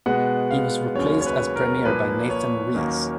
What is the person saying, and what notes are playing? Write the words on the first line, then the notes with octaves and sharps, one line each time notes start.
He was replaced as premier by Nathan Rees.
B2 G#3 B3 F#5
F5
D#2 C#3 F#3 C#5
C#5
B4
A#4
A#2 F3 A#3 B4
C#5
D#2 D#3 F#3 A#3 C#4